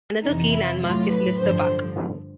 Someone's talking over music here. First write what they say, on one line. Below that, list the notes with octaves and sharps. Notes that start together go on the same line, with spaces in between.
Another key landmark is Lister Park.
F2 C3 E3 D#4
E4
A2 F#3 F4
B4
G2 D3 F3 C5